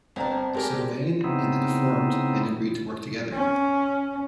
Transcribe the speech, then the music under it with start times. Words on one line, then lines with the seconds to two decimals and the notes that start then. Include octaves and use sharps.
Sylvain and the Deformed then agree to work together.
0.16 G1 C4 D4 A#5
0.54 G#3 G4 A#4 C5 D5
1.24 C#3 B3 C4 D#4 E4
3.32 C#4